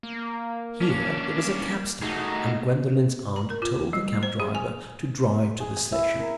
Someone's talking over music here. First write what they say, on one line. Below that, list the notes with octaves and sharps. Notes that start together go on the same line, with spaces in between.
Here there was a cab-stand, and Gwendolen's aunt told the cab-driver to drive to the station.
A#3
C#4 D4
A3 D#4 F#4 G#4
A#5
A#4
F4
G3
C5
G#4
G#5
G#4
G#5
E4
A#4